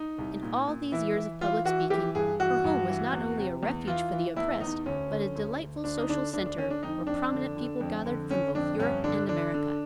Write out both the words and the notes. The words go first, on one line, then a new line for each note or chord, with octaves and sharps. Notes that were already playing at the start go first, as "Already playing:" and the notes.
In all these years of public speaking, her home was not only a refuge for the oppressed, but a delightful social centre, where prominent people gathered from both Europe and America.
Already playing: D#4
C2
A#2
A#2
E3 E4
E3
E3 F4
E3 F#4
E3 G4
G2 G#4
E3 F#4
G2
E3
E2
C3
E2
E3 F4
E3
E2 E4
E2 D#4
D2 C#4
D3
D2
D2
D2 D4
D#4
D3 D4
D2 D4
D4
D3 C#4
D4
F2 D#4
F2 D4
D3
D3
F2
D3
D3 C#4
F2 D4
G2 C#4
D3 D4
D3 D4
D3